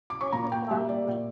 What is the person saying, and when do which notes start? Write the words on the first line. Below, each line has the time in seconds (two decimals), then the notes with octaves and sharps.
There is a golf club.
0.10 D6
0.21 C#6
0.32 A#2 A#5
0.52 G5
0.70 G3 A#3 E5
0.89 D5
1.08 A#2